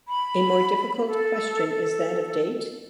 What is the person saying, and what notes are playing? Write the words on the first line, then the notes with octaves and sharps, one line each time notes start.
A more difficult question is that of date.
B5
A4
A4